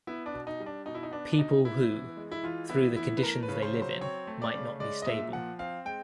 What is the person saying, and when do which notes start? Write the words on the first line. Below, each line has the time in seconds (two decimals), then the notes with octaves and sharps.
People who, through the conditions they live in, might not be stable.
0.07 B3 E4
0.26 D4
0.33 B2
0.47 D#4
0.60 G3
0.66 D4
0.86 B2 D#4
0.95 E4
1.03 D#4
1.11 B3 D4
1.32 D4
1.39 B2 D#4
1.65 B3 E4
1.91 E3
2.17 G#3
2.32 E4
2.43 E3 F4
2.69 B3 E4
2.96 E3 E4
3.17 B4
3.22 A3 A#4
3.43 B4
3.49 C#3
3.62 C5
3.75 F#3
3.82 C5
4.01 C4 C#5
4.27 A3
4.42 D5
4.55 C#3
4.80 G#3 D5
5.02 D#5
5.06 A#2 E5
5.33 F3 F#5
5.59 C4 F5
5.85 G#3 G5